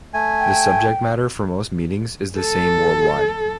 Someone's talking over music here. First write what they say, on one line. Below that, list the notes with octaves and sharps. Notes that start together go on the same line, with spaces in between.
The subject matter for most meetings is the same worldwide.
A3 G#5
G5
A4